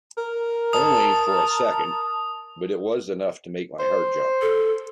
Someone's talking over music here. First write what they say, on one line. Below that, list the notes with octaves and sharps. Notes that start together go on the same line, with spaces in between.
Only for a second, but it was enough to make my heart jump.
A#4
A5 D#6
C5
A4